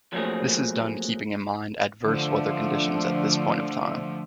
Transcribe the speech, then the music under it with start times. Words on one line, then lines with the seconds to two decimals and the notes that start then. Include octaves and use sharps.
This is done keeping in mind adverse weather conditions at this point of time.
0.13 F3 F#3 A3 A#3 C4 G#4
2.04 D3 F3 A3